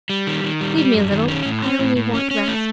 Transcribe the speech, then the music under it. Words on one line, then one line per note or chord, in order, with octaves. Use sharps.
"Leave me a little--I only want rest."
G3
D#3
D#3
G3
G3
F#2
D#3
C#4
A2
C#4
A2
A2
C#4
C#4
A3